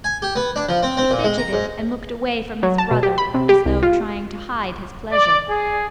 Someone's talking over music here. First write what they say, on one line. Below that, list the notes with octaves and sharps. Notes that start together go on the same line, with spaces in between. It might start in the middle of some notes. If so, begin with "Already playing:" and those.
He fidgeted and looked away from his brother, as though trying to hide his pleasure.
G#5
G4
B3
D4
F3
C4
C4
A#2
G#3
A#5
G#2
F#3
A5
B2
G4
B5
C3
G4
C2
F4
D5
G#4